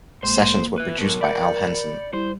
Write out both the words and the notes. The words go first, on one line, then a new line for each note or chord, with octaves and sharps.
The sessions were produced by Al Henson.
A#1 G#3 A#3 C5 C6
B4 E5 F#6
B2 F#3 A#4
D5 B5 G6 C#7
G3 E4 C5